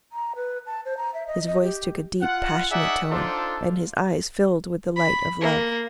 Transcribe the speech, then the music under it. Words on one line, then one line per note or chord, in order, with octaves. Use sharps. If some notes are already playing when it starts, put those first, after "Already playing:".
His voice took a deep, passionate tone, and his eyes filled with the light of love.
A#5
B4
A5
C5
A#5
E5
D#5
D#5
G4
F4 F#5
D#4 G#4 D5 E5 F#5
D4 D#4 F4 A4 C5
B5
A#3